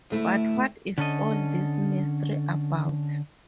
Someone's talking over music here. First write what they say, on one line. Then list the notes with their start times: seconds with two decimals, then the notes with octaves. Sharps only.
But what is all this mystery about?
0.10 D2 A3 E4
0.98 D3 C#4 A4 D#5